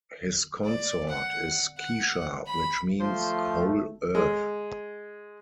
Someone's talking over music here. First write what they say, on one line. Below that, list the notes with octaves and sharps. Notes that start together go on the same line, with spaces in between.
His consort is Kishar which means "Whole Earth".
D5
F#5
F#5
B5
F3 A3 C5
G#3